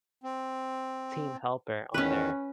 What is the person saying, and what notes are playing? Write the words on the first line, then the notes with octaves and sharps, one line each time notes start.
team helper on there.
C4
E2 D#3 C#4 B4